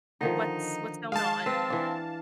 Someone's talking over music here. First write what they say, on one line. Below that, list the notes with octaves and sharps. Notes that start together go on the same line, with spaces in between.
what's what's going on.
D3 D#3 F3 D#4
G#3 F5 A5
C4 B4
E3 D4